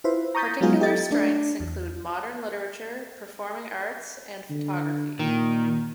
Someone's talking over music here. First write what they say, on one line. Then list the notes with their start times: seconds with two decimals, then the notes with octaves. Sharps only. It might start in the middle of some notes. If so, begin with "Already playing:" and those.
Particular strengths include modern literature, performing arts, and photography.
0.04 E4 F4 B4 C5
0.35 A#5 C#6 D#6 G6 A6 B6
0.61 F#3 G#3 B3 D#4 F4 G#4
0.81 G4 A4 D#5 A6
1.11 A3 D4
1.60 E2
4.50 D3
5.19 A#2 D#3